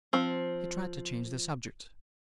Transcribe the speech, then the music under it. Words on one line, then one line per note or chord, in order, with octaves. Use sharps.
He tried to change the subject.
F3 C4